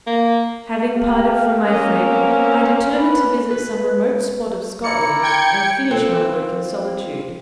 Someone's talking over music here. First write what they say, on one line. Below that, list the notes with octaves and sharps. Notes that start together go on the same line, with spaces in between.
Having parted from my friend, I determined to visit some remote spot of Scotland and finish my work in solitude.
A#3
A3 G4 F5
G#3 A#3 C#4 D#5
B3 C4
B4
B4
E4 A#4 D5 C#7
G5 G#6 C#7
C4 F4 A4